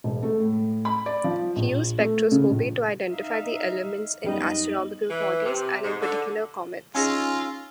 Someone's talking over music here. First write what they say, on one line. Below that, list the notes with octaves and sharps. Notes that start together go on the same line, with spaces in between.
He used spectroscopy to identify the elements in astronomical bodies, and, in particular, comets.
E1
A3
A2
B5
D5
F3
A#1
A3
C#3
A#1
D#4 E5 F5
F#2 G3 B3 D#4 D#5
E3
C3
G#2
D3
C#4 D#4 F4 G#4 G#5 E6 A#6